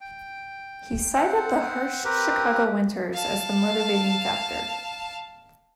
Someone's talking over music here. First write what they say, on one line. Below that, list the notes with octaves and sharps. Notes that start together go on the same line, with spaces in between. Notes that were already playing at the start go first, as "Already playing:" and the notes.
He cited the harsh Chicago winters as the motivating factor.
G5
C4 C5 F#5
C4 G4 A#4 B4
F5 A5